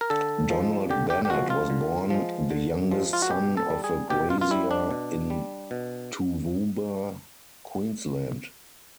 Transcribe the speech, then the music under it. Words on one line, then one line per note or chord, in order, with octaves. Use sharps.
Donald Bennett was born the youngest son of a grazier in Toowoomba, Queensland.
A#4
D3 A4
F3 G#3
D3 G4
G4
G4
F3 G#3 F#4
F4
D3
F3 G#3
D3
F3 G#3
F4
F#4
B2 G4
A4
G3
G#4
B2 G4
F4
F4
G3 E4
D4
B2
G3
B2